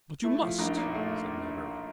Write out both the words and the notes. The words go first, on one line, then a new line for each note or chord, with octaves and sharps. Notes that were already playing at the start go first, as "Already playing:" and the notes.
"But you must," said Melbury.
A3 E4
F3
A#1 D#4
A#2
A3